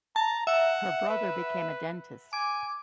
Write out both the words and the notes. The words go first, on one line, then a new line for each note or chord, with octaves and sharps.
Her brother became a dentist.
A5 A#5
E5 F#5
B4
G#5 D6